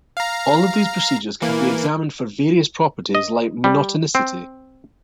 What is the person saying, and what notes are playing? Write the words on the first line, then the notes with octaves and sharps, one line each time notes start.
All of these procedures can be examined for various properties like monotonicity.
F5 A#5
E3 A#3
D#5
G3
C4